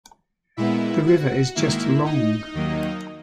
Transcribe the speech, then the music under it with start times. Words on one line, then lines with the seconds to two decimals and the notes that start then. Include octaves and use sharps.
The river is just long.
0.57 A#2 G#3 B3 E4 E5
1.06 F#4 F#5
1.55 G#2 D#3 A#3 E4 E5
2.05 D#4 D#5
2.54 D#2 D#3 F#3 A#3